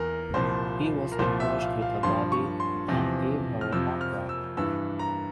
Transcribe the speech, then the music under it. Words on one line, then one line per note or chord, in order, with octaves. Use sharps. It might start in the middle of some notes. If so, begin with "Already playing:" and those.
He was impressed with her body and gave her a contract.
Already playing: E2 E3 A#4
C2 A#2 F3 C5
A#4
C2 A#2 F3 C5
E5
F5
F5
G2 F3 C6
C#6
C6
E2 C3 F3
F6
F2 C3 F3 E6
F6
E6
G2 E3 E6
A#5